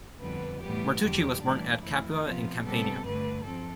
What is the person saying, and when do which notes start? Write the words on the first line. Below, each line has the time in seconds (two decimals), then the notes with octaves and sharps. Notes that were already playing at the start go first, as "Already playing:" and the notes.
Martucci was born at Capua, in Campania.
0.21 F2 D3 G3 B3 B4
0.61 A2 E3 G3 B3 G4
1.02 E2 D3 G3 G4
1.43 A2 E3 G3 D4
1.83 F2 E3 A3 E4
2.23 C3 F3 B3 F4
2.64 C3 G3 B3 A4
3.04 G2 D3 A3 B4
3.45 F3 C4 A4